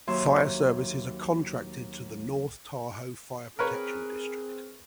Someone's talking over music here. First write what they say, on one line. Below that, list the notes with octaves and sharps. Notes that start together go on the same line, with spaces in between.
Fire services are contracted to the North Tahoe Fire Protection District.
D#2 F#3 E5 C6
C4 G#4 A#4 B4 C#5